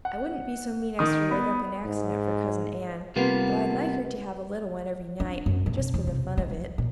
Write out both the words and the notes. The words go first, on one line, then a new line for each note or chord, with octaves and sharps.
"I wouldn't be so mean as to rig up an accident for Cousin Ann, though I'd like her to have a little one every night, just for the fun of it."
F#5
D#3 D#6
B3
G#2
C3 G3 A#3 B3 F4
D4
F#2
A#1
B2
E2
C3
G#3
F3
A#2